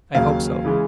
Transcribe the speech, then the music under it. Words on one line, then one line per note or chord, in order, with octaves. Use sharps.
"I hope so."
D#2 C#3 F#3 F5
C#3 E3 G#3